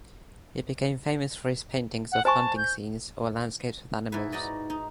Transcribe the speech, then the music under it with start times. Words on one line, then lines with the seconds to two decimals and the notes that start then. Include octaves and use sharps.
He became famous for his paintings of hunting scenes or landscapes with animals.
2.12 F#5
2.25 C5 G#5 A5 C#6
2.57 G6
4.12 G#2 E4 B4
4.32 D#4 F#4 D5 D#5
4.70 D#4